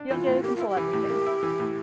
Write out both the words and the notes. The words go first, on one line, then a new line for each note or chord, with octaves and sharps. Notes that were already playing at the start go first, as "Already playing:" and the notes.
you don't get to control everything.
Already playing: D4
E3 F4
A2
A#3 G4
E4 F4
G4
E3
A2
A#3
E4
E3
A2